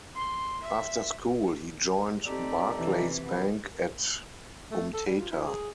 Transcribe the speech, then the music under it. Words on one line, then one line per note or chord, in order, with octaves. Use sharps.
After school, he joined Barclays bank at Umtata.
C6
E5
C4 D#4 G4 A4 D5
C3 E3
F3 B3
A3
A4
G3
F4
E4
G#4